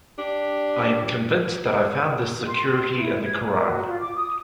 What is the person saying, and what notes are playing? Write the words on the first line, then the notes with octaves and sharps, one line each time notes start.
I am convinced that I found this security in the Qur'an.
D4 G4
C6
C6
E4
G#6
G#5
A#4
F#4
F4
D6
D#6